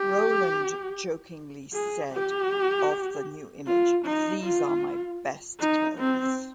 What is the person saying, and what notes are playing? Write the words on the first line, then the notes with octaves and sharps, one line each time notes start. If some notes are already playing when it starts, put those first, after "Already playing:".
Rowland jokingly said of the new image: These are my best clothes.
Already playing: G4
G#4
G4
F4
D#4
F4
D#4
C4